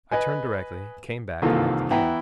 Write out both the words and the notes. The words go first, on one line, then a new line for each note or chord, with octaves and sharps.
I turned directly, came back, and looked again.
B4 D#5 G#5
C2 D#3 E3 A#3 F4 A4
E3 B3 E4 F#5 G5 A#5